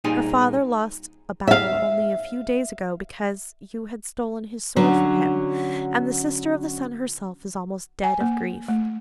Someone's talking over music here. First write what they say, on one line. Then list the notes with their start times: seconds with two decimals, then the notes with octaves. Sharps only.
Her father lost a battle only a few days ago because you had stolen his sword from him, and the Sister of the Sun herself is almost dead of grief.
0.04 A#2 G3 D#4 G#4 G#5 C6
1.48 E5 F5
4.76 D3 F#3 C#4
8.04 G#5
8.21 A#3
8.69 A3